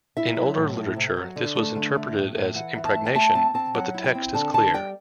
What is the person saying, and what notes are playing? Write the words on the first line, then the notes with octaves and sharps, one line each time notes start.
In older literature, this was interpreted as "impregnation", but the text is clear.
E4 E5
F#3
A2
E4
C3
F#3
D3
A3
D3
A3
A2
A2
E3 F#5
E3
A5
A3
G5
A3 A5
C4 A5
C4 A5
F#3 F#5
E4
G5
C4
D3 A5
D3 A5
G3 G5